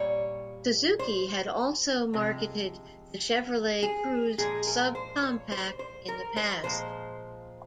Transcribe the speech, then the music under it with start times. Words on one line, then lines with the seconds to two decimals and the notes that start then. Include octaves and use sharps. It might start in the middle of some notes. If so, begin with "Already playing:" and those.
Suzuki had also marketed the Chevrolet Cruze subcompact in the past.
Already playing: A#2 G3 C#5
0.99 C5
2.13 C3 F3 G#3
3.83 G#4
4.38 A#2 F3 G#3 G#4
4.67 A#4
4.95 C5
5.23 C#5
5.52 C5
5.79 C5
6.08 A#4
6.36 C5
6.63 A#2 F3 G#3 C5